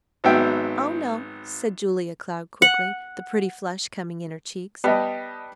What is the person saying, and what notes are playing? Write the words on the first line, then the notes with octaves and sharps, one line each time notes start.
"Oh, no," said Julia Cloud quickly, the pretty flush coming in her cheeks.
G#1 F#3 B3 E5 G5
F#5
G3 B3 D#5 G5 A5